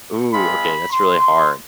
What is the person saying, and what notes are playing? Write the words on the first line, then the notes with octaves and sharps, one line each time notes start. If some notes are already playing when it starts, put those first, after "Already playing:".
Ooh, okay, that's really hard.
G#3 C4 F4 B5
C6